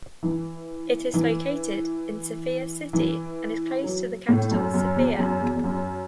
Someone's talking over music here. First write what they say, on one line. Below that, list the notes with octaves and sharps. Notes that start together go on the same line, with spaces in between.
It is located in Sofia city and is close to the capital Sofia.
E3
E3
E3
F#3
A2
F#2
F#2
E2
F#2
E2
E2
F#2